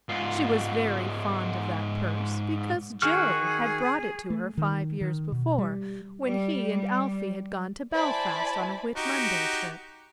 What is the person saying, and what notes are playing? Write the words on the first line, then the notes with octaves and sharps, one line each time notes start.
She was very fond of that purse because Joe had brought it to her five years before when he and Alphy had gone to Belfast on a Whit-Monday trip.
G#2 F4
D#3 F#4 G#4 F6
A3
D#3
D#3
B2
G3
G3
E4 C5 D5 G#5 A5 B5
D#4 F#4 G4